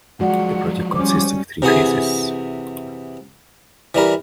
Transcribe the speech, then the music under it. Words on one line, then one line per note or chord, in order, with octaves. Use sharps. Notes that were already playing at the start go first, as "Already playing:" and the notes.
The project consists of three phases.
F3 F#3 G#3 F#4 D5 F#5
G3 C#4 C5 D6
C3 E3 F#4 G#4
E3 G3 A#4